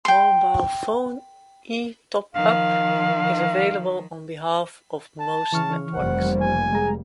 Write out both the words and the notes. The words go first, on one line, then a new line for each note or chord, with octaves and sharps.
Mobile phone E Top-up is available on behalf of most networks.
G5 C6
D#3 F3 F5
A5
C#3 E3 C#6 F6
F1 G3 A#3 C5 F#5
G#5
G#3 G#4 A#5